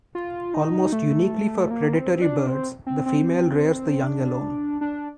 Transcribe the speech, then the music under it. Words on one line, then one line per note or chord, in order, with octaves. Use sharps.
Almost uniquely for predatory birds, the female rears the young alone.
F4
D#4
A3
A#3
C4
D4
C4
C4
C4
D4
D4